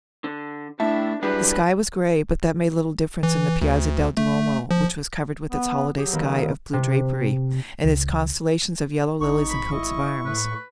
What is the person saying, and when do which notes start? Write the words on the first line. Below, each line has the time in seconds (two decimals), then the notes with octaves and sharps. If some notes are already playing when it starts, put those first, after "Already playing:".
The sky was grey, but that made little difference in the Piazza del Duomo, which was covered with its holiday sky of blue drapery, and its constellations of yellow lilies and coats of arms.
0.24 D3
0.80 A2 D4 E4 E5 A5
1.23 F#3 G3 D4 E4 G4 G#4 B4
3.23 E3
3.62 D2
4.17 A3
4.71 F3
5.50 B3
5.98 F#3 G4 G#4
6.13 D#3 A#3 B3
6.73 C3
7.84 C#2
9.21 G#1 D#4 C#6
9.49 B5
9.72 E4 D#5
10.25 A2 B4